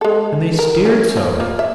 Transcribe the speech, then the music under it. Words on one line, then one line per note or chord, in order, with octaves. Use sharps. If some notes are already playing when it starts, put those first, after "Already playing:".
And they stared so!
G#3 A4
A#4
A3 C#4
F3
A#3 F4
E5